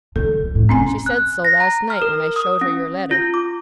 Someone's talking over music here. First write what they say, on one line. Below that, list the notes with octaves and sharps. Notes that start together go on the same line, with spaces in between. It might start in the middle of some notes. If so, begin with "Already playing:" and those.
She said so, last night, when I showed her your letter.
D3 A4
F3
A2
F1 F#2 C4 C#4 G#5
F#6
A#6
A#5
F6
A#4
D#6
C#4
F4
D6